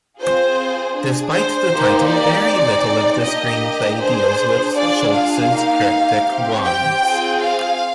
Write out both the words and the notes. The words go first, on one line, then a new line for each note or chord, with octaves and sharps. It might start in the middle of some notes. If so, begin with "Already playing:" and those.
Despite the title, very little of the screenplay deals with Schultz's cryptic words.
C4 F4 G#4 C5
D4 G#4
C5
A#3 D#4 G4
D5
C4 D#4 G#4
A#3 D4 G4 D#5
D4 G#4 C5
D4 F4 G#4 D5
F5
A#3 D#4 G4
C4 G4
G5
C4 F4 G#4
F5